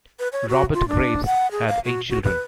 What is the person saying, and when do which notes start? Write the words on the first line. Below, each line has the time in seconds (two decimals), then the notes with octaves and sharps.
Robert Graves had eight children.
0.19 B4
0.32 C#5
0.49 F#4
0.74 F4
0.88 D4
1.25 F#5
1.51 G#4
1.68 F5
1.85 F#4
2.10 F#4
2.24 B4